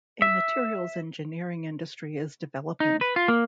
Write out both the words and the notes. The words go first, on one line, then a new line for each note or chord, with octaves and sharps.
A materials engineering industry is developing.
E5
D#4
B4
F4
A#3